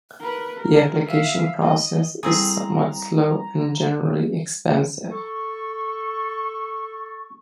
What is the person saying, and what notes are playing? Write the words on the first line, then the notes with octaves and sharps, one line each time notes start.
The application process is somewhat slow and generally expensive.
A#4 B4
A#4
E5 F5
D#5
G3 C4 E4 G#4 A4 A#5
A4 C#6